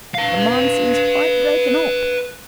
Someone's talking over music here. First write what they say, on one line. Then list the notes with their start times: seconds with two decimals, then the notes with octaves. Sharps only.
'The man seems quite broken up.
0.15 B4 F5